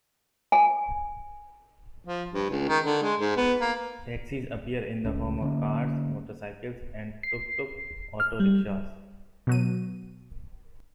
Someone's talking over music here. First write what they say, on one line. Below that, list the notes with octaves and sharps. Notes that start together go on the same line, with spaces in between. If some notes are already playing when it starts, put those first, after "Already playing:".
Taxis appear in the form of cars, motorcycles, and "tuk-tuk" auto rickshaws.
G#5
F3
G2
C#2
D#3
D3
G#3
G#2
B3
A#3
C#2 C#3
D3 A#3 C#4
C7
F6
G3
B2 F#3 D#7